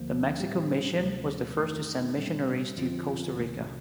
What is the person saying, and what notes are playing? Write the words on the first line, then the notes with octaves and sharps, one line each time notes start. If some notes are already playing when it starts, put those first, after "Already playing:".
The Mexico Mission was the first to send missionaries to Costa Rica.
Already playing: D2 D3 F3 A#3
A2 G3 C4 G4
D2 C3 F3 A3
F2 D#3 A3 D#4
A#2 G3 C4
F2 D3 F3 C4 F4
C2 C3 D#3 A3